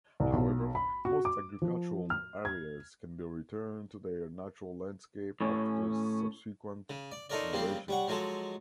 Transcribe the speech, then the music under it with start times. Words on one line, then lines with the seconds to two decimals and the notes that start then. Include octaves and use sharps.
However, most agricultural areas can be returned to their natural landscape after subsequent generations.
0.20 C2
0.33 B1
0.75 B5
1.05 F#4
1.25 D6
1.62 F3
2.10 F6
2.45 G#6
5.41 A2 C#4
6.90 C#3
7.11 D5
7.30 D#4 F4 A4 A#4 C#5 D5
7.53 C#3 F3 G3 A#3 C4
7.88 G3 C#5 F#5
8.08 F3 F#3 G#3 A4